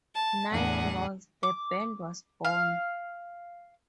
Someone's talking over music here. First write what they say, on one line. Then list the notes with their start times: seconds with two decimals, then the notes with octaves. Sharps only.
Nightnoise, the band, was born.
0.14 A5
0.51 E2 A2 D4 G#4 F#5
1.43 D6
2.45 F5